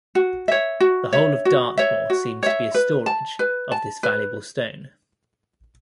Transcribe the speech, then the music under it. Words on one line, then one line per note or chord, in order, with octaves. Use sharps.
The whole of Dartmoor seems to be a storage of this valuable stone.
F#4
C#5 E5
F#4
C#5 E5
F#4
C#5 E5
F#4
C#5 E5
B4
A5
B4
A5
B4